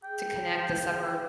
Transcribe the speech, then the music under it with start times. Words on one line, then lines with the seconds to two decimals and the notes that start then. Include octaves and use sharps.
to connect the suburb
0.04 G#4 G5
1.07 G5